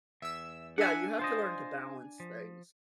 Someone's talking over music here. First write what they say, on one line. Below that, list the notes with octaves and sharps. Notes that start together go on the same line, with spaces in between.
yeah, you have to learn to balance things.
E2 E5 E6
D4 E5 F#5 G#5
F4 C5 D#5
F3